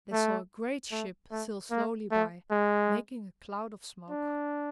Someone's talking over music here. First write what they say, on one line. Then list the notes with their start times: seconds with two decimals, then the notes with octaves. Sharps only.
They saw a great ship sail slowly by, making a cloud of smoke.
0.13 A3
0.91 A3
1.31 A3
1.71 A#3
2.11 A3
2.51 G#3
4.10 D4